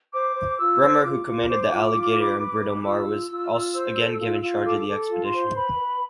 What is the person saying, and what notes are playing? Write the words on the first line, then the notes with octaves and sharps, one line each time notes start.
Bremer, who commanded the "Alligator" and "Britomart", was again given charge of the expedition.
C5 D6
C5
F4 E6
C5
F4 D6
F4
C5
F4
F4
B4
B4
B4
F4 E6
F4
F4
F4
C5
A4
F4
F4
A4 D6
A4
F4
C6
C5
B4 B5
B4